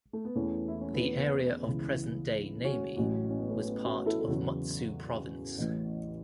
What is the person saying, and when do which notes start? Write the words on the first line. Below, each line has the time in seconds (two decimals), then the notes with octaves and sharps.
The area of present-day Namie was part of Mutsu Province.
0.13 A3
0.25 B3
0.35 E2 E3 A3 C#4
0.68 E4
0.81 C#4
0.93 B3 E4
1.66 C#2 C#3 E3
2.64 C#4 F#4
2.97 A1 A2 F#3 C#4 F#4
3.30 C#4
3.39 B3
3.49 A3 C#4
3.63 B3
3.84 C#4 F#4
4.06 E4 A4
4.20 A4
4.28 E2 C#3 F#3 C#4 F#4
5.58 A1 A2 E3